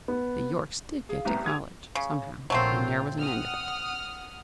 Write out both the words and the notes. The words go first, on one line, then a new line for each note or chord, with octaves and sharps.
The Yorkes did get to college, somehow, and there was an end of it.
B3
G#4 F5
C2 A2 B3 D#4 G4 A#5
G4 B4 F#5 D#6 G#6 F7
C#3
A#1 F#3 A3 C4 F4
F#5 D#6 F6